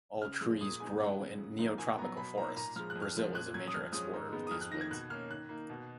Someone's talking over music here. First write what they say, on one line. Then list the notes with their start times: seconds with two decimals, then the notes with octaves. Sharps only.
All trees grow in neotropical forests; Brazil is a major exporter of these woods.
0.22 C#3 F6
0.41 F3 G#3
0.61 A#2 D#6
0.80 G#3 B3 D#4 G#5
1.00 F#2 F#5
1.20 C#3 G#3
1.39 C#3
1.59 F3 A#3 D#4
1.78 A#2 G#5
1.98 F#3 B3 A#5
2.17 B2 B5
2.37 A#3 D#4 A#5
2.56 A#2 A#5
2.76 F3 G#3 F6
2.90 F#6
2.96 F2
3.02 F6
3.15 C#3 F3 G#3
3.34 A#2 F#6
3.54 F#3 C#4 G#6
3.68 D#6
3.74 F2 F6
3.93 F3 G#3 C#4 D#6
4.13 G#2
4.32 D#3 G#3 B3 D#4
4.47 D#6
4.51 F2 F6
4.61 F#6
4.71 D#3 A#3 D#4 A#6
4.81 G#6
4.91 B2 F#6
5.10 A#3 C#4 F6
5.30 D#3 F#6
5.49 A#3 D#4
5.70 B2